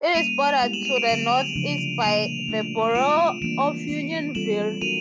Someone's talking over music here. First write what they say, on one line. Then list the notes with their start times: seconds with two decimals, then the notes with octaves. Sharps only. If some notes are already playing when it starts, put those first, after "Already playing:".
It is bordered to the northeast by the borough of Unionville.
0.15 G3 A#3 C#4 D#7 F7
0.62 G#3 B3 E4 G4
0.73 E7 F#7
0.85 D#7 F7
0.96 D7 E7
1.08 D3 F#3 A#3 C#4 E7 F#7
1.55 C#3 F3 A3 D4
2.02 A#2 G3 A#3 D#7 F7
2.48 A3 D4 F4
2.95 G#3 C4 F4 D7 E7
3.41 E3 G3 A#3 D4 D7 E7
3.89 E3 G#3 B3
4.35 D#3 G3 C4 F4 A4 E7 F#7
4.81 F#3 B3 D#4 F#4 A#4 D#7 F7